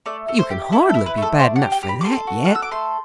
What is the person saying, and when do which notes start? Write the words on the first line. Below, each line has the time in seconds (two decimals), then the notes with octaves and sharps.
But you can hardly be bad enough for that yet.
0.06 A3 D5
0.28 A3
0.39 C5
0.50 G4
0.72 E4 A4
0.89 A4
0.94 E4
1.06 B4
1.17 A3 A4
1.39 D4 C5
1.56 F#5
1.62 G4
1.72 G5
1.83 G4
1.89 B5
2.01 D6
2.05 A4 C6
2.27 F#4
2.45 A4 F#6
2.55 E6
2.62 D6
2.71 A3 C6